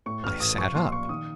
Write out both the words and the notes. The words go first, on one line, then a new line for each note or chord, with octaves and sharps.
I sat up.
A2 C#6
A1 F6
A1 D#6
F3 C#6
A#2 C6
A#2 C#6
D#3 D#6